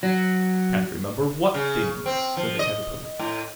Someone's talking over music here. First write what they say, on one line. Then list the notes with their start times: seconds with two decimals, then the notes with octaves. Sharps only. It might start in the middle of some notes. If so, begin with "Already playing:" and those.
'Can't remember WHAT things?' said the Caterpillar.
0.03 F#3
1.54 C#3
2.06 C4
2.37 F3
2.59 D#5
3.19 A2